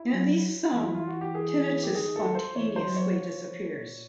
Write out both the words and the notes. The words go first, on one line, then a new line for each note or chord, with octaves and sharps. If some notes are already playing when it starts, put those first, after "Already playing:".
In at least some, tinnitus spontaneously disappears.
Already playing: E4
F#3
E3
E4
F4
F#4
G4
G#4
G4
D#3 G#4
A4
C5
E3 C#5
C5
F#3
C#5
F3
A#2